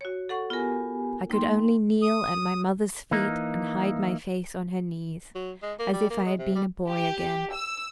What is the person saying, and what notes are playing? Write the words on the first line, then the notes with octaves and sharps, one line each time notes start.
I could only kneel at my mother's feet, and hide my face on her knees, as if I had been a boy again.
F#4 C#5
A4 F#5 C#6
B3 F4 G4 A#4 G#5
A#3 D#4 G5 C6
D#6
E3 A#3 D#4
F#3
G#3
A#3
G3
A#3
G#3
C3
G3
G4
E6